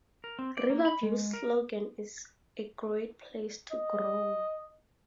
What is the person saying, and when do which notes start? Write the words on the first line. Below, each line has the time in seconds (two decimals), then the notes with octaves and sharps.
Riverview's slogan is "A Great Place To Grow".
0.24 A#4
0.39 C4
0.57 D5
0.70 A#3
0.85 B5
1.03 G#3
1.33 A#4
3.71 D#5